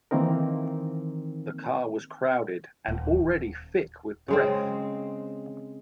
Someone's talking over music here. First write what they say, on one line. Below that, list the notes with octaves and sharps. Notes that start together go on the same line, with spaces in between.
The car was crowded and already thick with breath.
D#3 E3 A#3 C4 D#4 A#4
D#1
C#3 G#3 C4